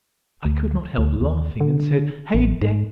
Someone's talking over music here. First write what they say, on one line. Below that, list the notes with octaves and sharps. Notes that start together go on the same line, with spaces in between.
I could not help laughing, and said, Hey-day!
D2
D2
D#2
D3
A1
G#2